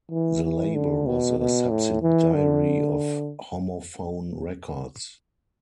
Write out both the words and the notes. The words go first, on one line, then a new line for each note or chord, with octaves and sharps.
The label was a subsidiary of Homophone Records.
E3
E3
D3
B2
B2
A2
E3
D3